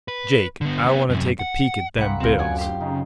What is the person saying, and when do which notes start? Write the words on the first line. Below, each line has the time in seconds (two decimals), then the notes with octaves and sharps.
"Jake, I wanta take a peek at them bills."
0.08 B4
0.61 D3 B3
0.86 B3 C#4
1.10 F#2 C3
1.39 F#5
1.98 C2 A#3 C4 F#5 B5 D6
2.20 D2 C3 F3 C4 A#4 B4
2.39 F#2 D5 F#5 G#5
2.58 G4 C6
2.81 C#3 D#4